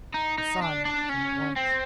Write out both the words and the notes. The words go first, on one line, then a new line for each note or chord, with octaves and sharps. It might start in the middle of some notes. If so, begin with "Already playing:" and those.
The sun came at once.
D#4
D#4
D4
D4
C#4
C4